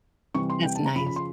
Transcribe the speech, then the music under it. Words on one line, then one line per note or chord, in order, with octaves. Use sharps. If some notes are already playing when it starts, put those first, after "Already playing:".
That's nice.
C3 E3 G3 C#6
C6
G5
A5
A#5
C#3 F3 B5
B5
C6